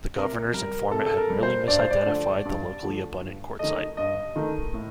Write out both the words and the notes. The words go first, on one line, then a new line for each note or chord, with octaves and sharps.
The Governor's informant had merely misidentified the locally abundant quartzite.
C3 A#4
G3 A#4
C3 A4
A4
A#4
G3
C5
G2 D5
C5
D5
D3 F3 A3
G2
D3 F3 A3
G2
D#3 A3 D#5
G2 D#5
D#3 A3
A2